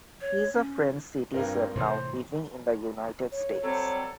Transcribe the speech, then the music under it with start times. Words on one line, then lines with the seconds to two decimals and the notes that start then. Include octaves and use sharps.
He is a French citizen now living in the United States.
0.21 C#5
0.54 C#4
1.34 G2 C4 F4 A#4
1.75 A2 C3 E3 C5
3.32 C#5
3.63 F#3 G3 C4 A4